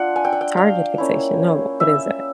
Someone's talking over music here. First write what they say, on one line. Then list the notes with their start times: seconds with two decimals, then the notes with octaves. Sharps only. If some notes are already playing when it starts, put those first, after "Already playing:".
Target fixation. No. What is that?
Already playing: D4 F4 F#5
0.16 G#5
0.25 G5
0.32 F#5
0.41 G5
0.57 F5
0.98 A#3 C#4 E4
1.80 E5